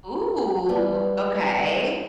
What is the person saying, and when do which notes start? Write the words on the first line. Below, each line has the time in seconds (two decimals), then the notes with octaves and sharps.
Ooh, okay.
0.69 G3 B3